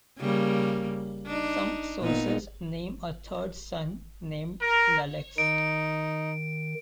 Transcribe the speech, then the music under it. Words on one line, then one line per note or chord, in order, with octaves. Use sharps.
Some sources name a third son, named Lelex.
C#3 G3 A#3
D4 D#4
A#2 B3 D#4
A#4
D#3 D#4 D7